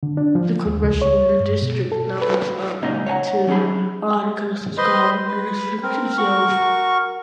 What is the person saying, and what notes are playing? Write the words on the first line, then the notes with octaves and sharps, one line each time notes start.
The congressional district numbers are linked to articles describing the district itself.
D3
D4
F3
D#2
C#2
C#5
G2
B2
A4
B4
C#2 A#2 A#3 C#4 D#4 D#5
C#5 F#5 G#5 A#5
F#3 C#4 D#4 G#4 B5
B4 C5 D#5 C6
B4
C4 A#4
F#4 A#4 C#6